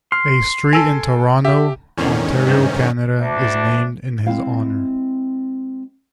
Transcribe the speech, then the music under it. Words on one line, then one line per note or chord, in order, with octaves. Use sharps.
A street in Toronto, Ontario, Canada, is named in his honour.
C6 F6
A4 G#5 E6 D7
G4 E5
E2 G#2 D3 D#3 C#4
G2 C3 G5
D2 D4
G#3 C4 E4 F5